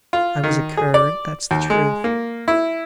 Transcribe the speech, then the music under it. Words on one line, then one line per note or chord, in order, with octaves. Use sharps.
I was a cur, that's the truth....
F4
D#3
G#4
D5
D#2
G#3
A#3
E4